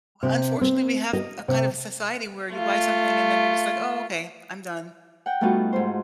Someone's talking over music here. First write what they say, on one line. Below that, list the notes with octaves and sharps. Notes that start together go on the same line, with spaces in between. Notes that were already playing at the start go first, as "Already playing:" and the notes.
unfortunately, we have a kind of a society where you buy something, and then you're just like, "Oh, okay. I'm done."
C3
C4
D#5
C3
A3 F4
F#5 G5
G3 A3 B3 D#4 F4 F#4
G#2 C5